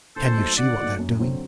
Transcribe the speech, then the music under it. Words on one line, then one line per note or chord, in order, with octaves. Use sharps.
"Can you see what they are doing?"
D3 A4 C5
F#3 A3 D#4 F#4
D3 D5 F#5
F#3 A3 D#4 F#4
F#2
D3 F#3 C4 F#4